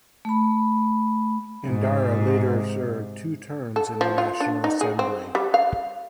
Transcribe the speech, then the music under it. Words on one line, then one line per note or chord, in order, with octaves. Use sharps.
Endara later served two terms in the National Assembly.
A3 B5
G#2 C3
A4
F3
F4
D4
D#4
G#4
C4
G3
F5